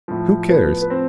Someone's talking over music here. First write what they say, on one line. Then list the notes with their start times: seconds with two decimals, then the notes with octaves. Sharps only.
Who cares?
0.08 A2 F3
0.49 B3 B4
0.82 B4
0.90 C4 C5